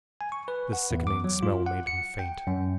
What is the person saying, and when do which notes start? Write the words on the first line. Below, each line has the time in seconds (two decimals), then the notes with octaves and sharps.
The sickening smell made him faint.
0.21 G#5
0.32 C#6
0.48 B4
0.73 F#5
0.91 E2
1.07 D6
1.24 F#3
1.43 F4
1.66 F#5
1.87 C#7
2.19 G5
2.47 F#2